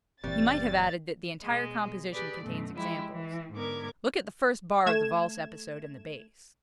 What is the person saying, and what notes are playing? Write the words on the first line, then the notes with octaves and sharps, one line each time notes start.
He might have added that the entire composition contains examples--look at the first bar of the valse episode in the bass.
F#1 A#2 E3 G3 C4 A6
B2 G#3
G4 G#4 B4 D5
F#2 B2 A3
F3 G#3 E4 G4
E3
G#2 D3 B3 A#4 D6 G#6
A3 G#6 E7